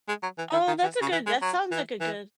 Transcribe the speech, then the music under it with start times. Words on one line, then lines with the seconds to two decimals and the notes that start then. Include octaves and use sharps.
Oh, that's a good that sounds like a good
0.08 G#3
0.23 F#3
0.38 E3
0.53 D#3
0.68 D#3
0.83 E3
1.02 C#3
1.12 E3
1.27 G#3
1.42 F#3
1.71 E3
2.01 E3